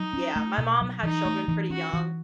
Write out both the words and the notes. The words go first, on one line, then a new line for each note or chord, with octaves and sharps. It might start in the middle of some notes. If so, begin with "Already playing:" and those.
Yeah, my mom had children pretty young,
Already playing: F#3 D#4
C#4
A3
B2
F#3
E3 D#4
A3
E3
C#4 F#4
E3